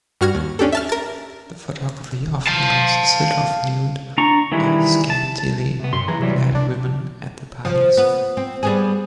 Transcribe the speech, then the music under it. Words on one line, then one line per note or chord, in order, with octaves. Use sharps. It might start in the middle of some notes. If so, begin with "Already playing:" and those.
The photography often consisted of nude or scantily clad women at the parties.
G2 F#4 F6 G#6 A#6
D#2
C#4 D4 G4 A4
E5 A5 F6
A#4 A6
F5 A5
D4 A#5 C#6
D#3 E3 G3 G#3 E4
A5
C3 B3
F#2 B2 C6
B1 E3 G#4 A#5
C3 F#3 G3
C3
D4
F3
B3
C4
G3 B3 G#4